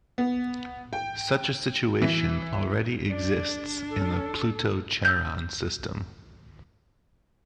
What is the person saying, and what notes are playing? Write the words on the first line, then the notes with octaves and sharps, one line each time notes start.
Such a situation already exists in the Pluto-Charon system.
B3
G5
E3
D4 D5
A4
E6 G6